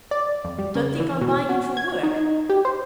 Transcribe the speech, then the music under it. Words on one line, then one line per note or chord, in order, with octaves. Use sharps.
Don't think I'm buying him for work.
D5
F2
G3
C#3
E3
B2
F#4
G#6
D#4
G4
C5